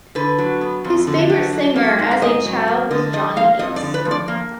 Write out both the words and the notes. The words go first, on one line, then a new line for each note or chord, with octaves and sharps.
His favorite singer as a child was Johnny Ace.
D3 B4
F#3
B3
F2
D3
F#3
F#3
A#3
G#2
F5
G#2 D#5
F#3
A#3
D3 D#5
F3 D#5
A#3 F5
F2 D#5
D5
D3
B4
F3
D5
A#3